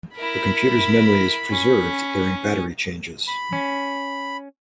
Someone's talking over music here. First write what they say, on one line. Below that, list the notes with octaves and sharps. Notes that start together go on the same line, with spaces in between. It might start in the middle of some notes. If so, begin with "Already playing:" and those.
The computer's memory is preserved during battery changes.
E4 A#4 B5
C#4
B5
C#4